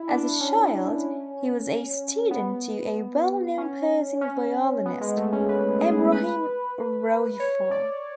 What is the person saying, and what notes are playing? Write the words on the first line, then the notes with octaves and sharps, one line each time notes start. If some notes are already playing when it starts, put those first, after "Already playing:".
As a child, he was a student to a well-known Persian violinist, Ebrahim Rouhifar.
Already playing: E4
D4
C#4
B3
C#4
C#4
B3
G#3
A3
C#4
B4
G#4
B4
C#5
D5